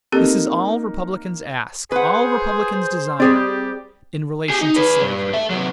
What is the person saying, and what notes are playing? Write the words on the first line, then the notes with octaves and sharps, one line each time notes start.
This is all Republicans ask--all Republicans desire--in relation to slavery.
A#3 C4 D#4 G4 A4
G#4 B4 C5 F#5
G3 C4 G4 G#4 D5
G4 G#4
D#4
G#4 B4
G2
A4 E5
C3 F#3